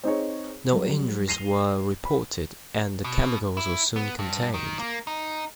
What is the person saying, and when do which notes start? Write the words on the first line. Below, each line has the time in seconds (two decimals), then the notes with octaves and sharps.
No injuries were reported, and the chemicals were soon contained.
0.04 C4 D#4 G#4 C#5
0.73 F#3 G3
1.28 A#6 C7 D#7 F7 G7
2.05 B5
3.04 B2
3.57 E4
3.96 B3
4.19 G2
4.54 D#3
4.80 A#3
5.07 D#4